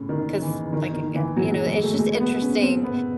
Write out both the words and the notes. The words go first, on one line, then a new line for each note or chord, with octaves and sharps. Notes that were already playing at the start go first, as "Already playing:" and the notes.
'Cause, like, again, you know, it's just interesting
Already playing: A2 C#3
D#3
E3
D#3
D#3
E3
F#3
G#3
G#3
A3
G#3
B3
C#4
C4
B3